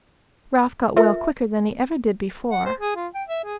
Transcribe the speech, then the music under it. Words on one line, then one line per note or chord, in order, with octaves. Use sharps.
Ralph got well quicker than he ever did before.
F4 A4 A#4 E5
F#5
C5
G#4
F4
G5
E5
G#4